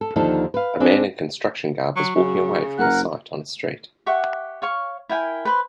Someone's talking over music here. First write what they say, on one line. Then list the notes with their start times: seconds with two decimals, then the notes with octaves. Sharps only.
A man in construction garb is walking away from a site on a street.
0.01 A4
0.16 D#2 D3 F3 D#4 A4
0.54 B4 F5
0.80 C4 D4 G#4
1.96 F#3 C#6
2.15 C#3 F#3
2.78 F#1 A#4 F#5 F#6
4.06 G4 E5 F#5 C#6
4.62 C#5 F5 C#6
5.09 E4 A#4 G5 G#5
5.45 B4 C5 B5 C6